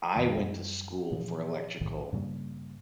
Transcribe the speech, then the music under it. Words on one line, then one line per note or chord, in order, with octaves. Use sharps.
I went to school for electrical
F#2 A#2 D#3 F3
F#2 G3
A#2 E3 F3
B1 A2 D#3 E3
G2 C#3 G3 A#3